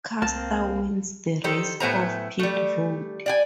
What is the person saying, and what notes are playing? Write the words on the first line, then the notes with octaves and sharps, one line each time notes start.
Custer wins the race off pit road.
C2 A#3 C4 A5
D#3 G4 A4 C5 A#5
A2 A3 B3 C5 G#5 A#5
G3 A3
D5 G5 G#5